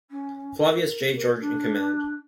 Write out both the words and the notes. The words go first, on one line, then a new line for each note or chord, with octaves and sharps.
Flavius J. George in command.
C#4
A#4
A#4
D4